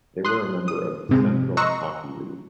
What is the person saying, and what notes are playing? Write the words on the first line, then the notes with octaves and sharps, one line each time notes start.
They were a member of the Central Hockey League.
C6 D#6 F#6
D#6
G#2 C3 G#3
D#5 A#5 C6 C#6 E6 F#6